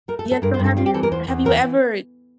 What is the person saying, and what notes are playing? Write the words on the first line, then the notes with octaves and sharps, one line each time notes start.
Yes, so have you have you ever,
A3 A#4
A4
A3
A4
G2 A#4
C5
G2
A4
G3 F4
G4
E3 A4
A#4
E2 C5
E2
E3 A#4